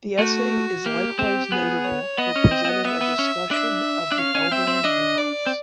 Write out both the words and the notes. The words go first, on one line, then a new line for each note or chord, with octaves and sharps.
The essay is likewise notable for presenting a discussion of the Eldarin numerals.
A3 F#4
A#3 G4
C4
B3 G#4
C#5
B3 D#5
C#4
C4
C4
B3
B3 E5
B3
C#4
D4 E5
D4
C#4 F5
C#4
C4 E5
C4
D4 D#5
D5
C4